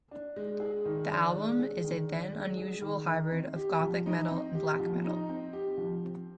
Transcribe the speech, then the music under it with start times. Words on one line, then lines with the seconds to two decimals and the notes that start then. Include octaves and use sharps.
The album is a then-unusual hybrid of gothic metal and black metal.
0.11 D4
0.36 G#3
0.60 G#4
0.85 D#3
1.09 D4
1.34 G#3
1.59 G#4
1.84 D#3
2.08 D4
2.33 G#3
2.57 G#4
2.82 D#3
3.07 D#4
3.32 C4
3.56 G4
3.81 F3
4.06 D#4
4.31 C4
4.55 G4
4.80 F3
5.04 D#4
5.29 C4
5.53 G4
5.78 F3
6.03 C4